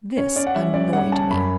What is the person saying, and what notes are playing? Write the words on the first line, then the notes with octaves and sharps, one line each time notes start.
This annoyed me.
C#4 C#5
C#4 D5
F#5
G3 E5
C#4 D5
G3 F#5
C#4 A5
F#2 B5